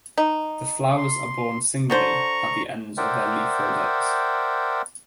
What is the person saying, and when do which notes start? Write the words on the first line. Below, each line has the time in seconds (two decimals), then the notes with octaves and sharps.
The flowers are borne singly at the ends of the leaf rosettes.
0.18 D#4
0.97 C6
1.90 D3 D4 C5 A#5 C#6
2.97 A#4 C5 D5 E5 F#5 G5